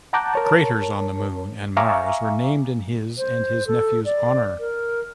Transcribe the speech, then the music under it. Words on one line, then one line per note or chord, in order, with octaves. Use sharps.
Craters on the Moon and Mars were named in his and his nephew's honor.
F#5 A5 A#5 D6 F#6 G6
A#4 C#5 A5
E5 F5 G#5 A#5 C#6 D6
C5
A4
D5
A#4